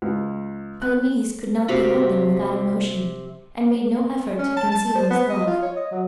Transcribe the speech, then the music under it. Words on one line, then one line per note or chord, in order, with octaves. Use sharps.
Palamedes could not behold them without emotion, and made no effort to conceal his love.
C#2
F#6
C3 F#4 F5 B5
C#4
A5
A5
C5
B3
D#5
F4
C#5
D#5
F#3